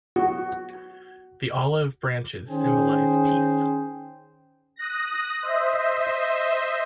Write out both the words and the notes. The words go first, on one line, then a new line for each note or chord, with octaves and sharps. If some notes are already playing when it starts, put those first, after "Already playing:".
The olive branches symbolize peace.
F#4
D#3 C#4 G#4 C5 G5
D#6 F#6 A#6
C5 D#5 E5